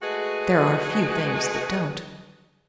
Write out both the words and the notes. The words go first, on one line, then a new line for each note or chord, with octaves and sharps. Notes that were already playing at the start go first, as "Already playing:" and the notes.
There are few things that don't.
G#3 A3 F#4 G#4 B4 D#5